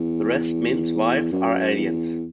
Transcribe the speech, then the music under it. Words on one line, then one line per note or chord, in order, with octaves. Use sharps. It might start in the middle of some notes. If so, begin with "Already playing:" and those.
The rest men's wives are aliens.
Already playing: E2
F#2
E2